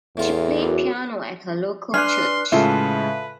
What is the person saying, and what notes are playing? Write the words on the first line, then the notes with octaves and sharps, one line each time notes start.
She played piano at her local church.
E2 A2 F4
F#2 B2 D6
D4 B4 G#5 C6 F6 F#6
A2 C#3 G#3 F4 A4 B4 E5 A5